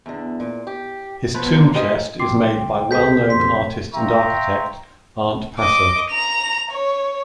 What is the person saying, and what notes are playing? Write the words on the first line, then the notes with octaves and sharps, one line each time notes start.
His tomb chest is made by well-known artist and architect Arent Passer.
E2 D3
A#2
G4
F3 F#3 B3 F#4 B4
A#2 D3 F#3 A#3 F4
G#2 E3 G4 D#5 F5
A1 F3 G5 C6 D6 C7
G1 C2
C#2 D#3 G#4 A4 C5 G6 B6
B1 F2 C3 C6 B6
E5 F5 G5 A#5 C6 C#6
D#5 D6
A#5 F7
C#5